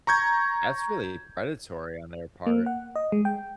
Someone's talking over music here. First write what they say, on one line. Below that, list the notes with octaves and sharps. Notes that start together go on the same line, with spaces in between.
That's really predatory on their part.
A#5 C#6 G6 G#6
A#3
F#5
D#5
G#3
G5